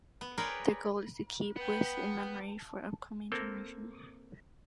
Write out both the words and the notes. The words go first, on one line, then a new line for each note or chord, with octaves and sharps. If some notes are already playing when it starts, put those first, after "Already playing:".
Their goal is to keep Wyss in memory for the upcoming generation.
B3
G#4 A#4 B4 C#5 D5 G5
B3 B4 G5
A#3 C4 A4 A#4